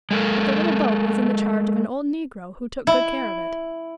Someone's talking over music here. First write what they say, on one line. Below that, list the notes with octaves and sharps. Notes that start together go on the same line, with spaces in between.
But the little boat was in the charge of an old negro who took good care of it.
G#3 A4 A#4
E4